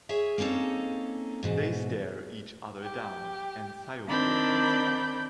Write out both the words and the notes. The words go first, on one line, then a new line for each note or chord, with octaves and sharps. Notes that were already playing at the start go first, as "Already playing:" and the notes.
They stare each other down and Sayoko gets off.
G#4 C#5 E5
A#3 C4 C#4 D#4 A4
G#2 B2 E3
G4
D#3 C4 D4 D5 B5 G6